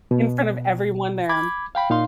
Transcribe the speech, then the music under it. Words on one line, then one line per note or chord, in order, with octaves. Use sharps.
in front of everyone there,
B2
B5 D6 G#6
F5 G5 B5
A#2 D#4 F5 C6